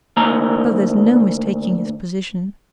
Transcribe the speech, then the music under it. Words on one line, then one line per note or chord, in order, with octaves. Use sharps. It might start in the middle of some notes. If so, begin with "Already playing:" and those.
Oh, there's no mistaking his position.
D2 A#3 A#5